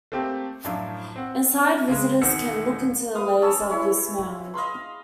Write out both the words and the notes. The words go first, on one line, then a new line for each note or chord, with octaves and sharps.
Inside, visitors can look into the layers of this mound.
A3 A#3 C4 G4
F#2 A2 F3 F#3 D4 E4
C4 F#5
C#3 G#3
E1 D#3 D#4 F#5 E6 C#7
B4 F5 D#6
C#4 A5 B5 E6
G#3 C#4 E4 B5
D#5 F5 B5 C6